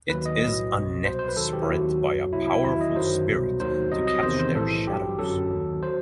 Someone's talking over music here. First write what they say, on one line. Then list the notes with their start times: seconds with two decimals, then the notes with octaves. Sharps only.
It is a net spread by a powerful spirit to catch their shadows.
0.09 D#2 D#3 F#3 B4
0.26 D#5
0.42 B1 A2 F#3
0.73 B1 B2 F#3
1.05 C2 B2 F#3 C5
1.19 C5
1.28 B4
1.37 D#2 D#3 F#3 A4
1.53 G4
1.62 E4
1.69 D#2 D#3 F#3 F#4
2.01 F#2 F#3
2.32 C2 C3 F#3 E4
2.48 E4
2.64 E2 D#3 F#3 E4
2.81 D#5
2.96 G1 F#2 D#3 F#3 C5
3.28 C2 B2 F#3
3.60 D#2 D#3 F#3 C5
3.92 C2 C3 F#3 D#5
4.07 D#5
4.23 E2 C3 D#3 C5
4.39 C5
4.55 B1 A2 E3 A4
4.87 A1 G2 F#3 G4
5.19 G1 F#2 F#3 A4
5.51 D#2 D#3 F#3
5.83 F#3 C5